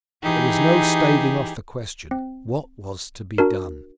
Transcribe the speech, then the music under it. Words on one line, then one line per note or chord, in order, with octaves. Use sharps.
But there was no staving off the question, What was to be done?
E3 D#4 G4 G#4
C4
D4 F#4 A#4